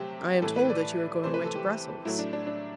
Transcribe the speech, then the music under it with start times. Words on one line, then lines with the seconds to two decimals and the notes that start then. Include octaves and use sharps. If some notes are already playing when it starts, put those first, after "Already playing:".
"I am told that you are going away to Brussels."
Already playing: C3 F#3 A3 G4 C5
0.42 A2 E3 A3 A4
0.56 B4
0.70 D5
1.24 C3 E3 A3 C5
1.34 B4
1.44 A4
1.55 G4
2.05 A2 F#3 A3 E4
2.19 D4
2.33 D4
2.47 D4